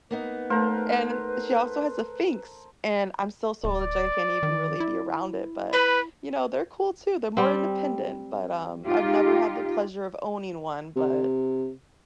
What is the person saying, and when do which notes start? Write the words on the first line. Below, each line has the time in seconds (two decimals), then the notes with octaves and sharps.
and she also has a Sphynx, and I'm so, so allergic that I can't even really be around it, but, you know, they're cool too, they're more independent. But, um, I've never had the pleasure of owning one, but
0.11 A#3 B3 D#4 B4
0.50 A3 A4 A#4 C5
3.64 D1 D5
4.43 D#3
4.80 E4
5.73 B4 B5
7.37 G3 C4
8.87 D#4 F4 G4
10.96 C3